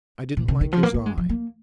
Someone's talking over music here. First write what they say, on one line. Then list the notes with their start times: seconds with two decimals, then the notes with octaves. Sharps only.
I didn't like his eye.
0.37 A#2
0.48 C#3
0.61 D#3
0.72 F3
0.83 A#3
0.94 A#3
1.06 G#3
1.18 F3
1.29 A#3